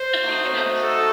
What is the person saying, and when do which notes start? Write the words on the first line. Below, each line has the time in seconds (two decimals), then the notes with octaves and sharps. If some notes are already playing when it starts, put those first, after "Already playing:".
you know,
Already playing: C5
0.19 A3 D#4 F#4
0.83 A4